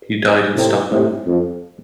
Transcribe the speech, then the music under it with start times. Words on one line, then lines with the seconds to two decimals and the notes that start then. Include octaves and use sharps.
He died in Stockholm.
0.55 A2 C3
0.90 A2 C3
1.26 F2